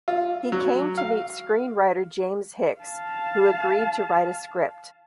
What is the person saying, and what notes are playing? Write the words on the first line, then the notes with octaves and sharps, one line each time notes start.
He came to meet screenwriter James Hicks, who agreed to write a script.
F4
F#3
F5
F5 A5